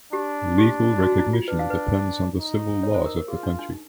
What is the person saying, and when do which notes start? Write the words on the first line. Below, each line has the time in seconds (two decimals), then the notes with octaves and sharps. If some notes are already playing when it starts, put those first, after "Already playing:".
Legal recognition depends on the civil laws of the country.
0.13 D4 G4
0.58 G4
1.03 F#4
1.18 E4
1.33 F4
1.48 D4 B4
1.59 F5
1.70 B4
2.38 D#4
2.83 C#5
2.94 C5
3.06 A#4
3.17 A#4
3.28 F4 G#4
3.43 D4
3.59 D4
3.73 D#4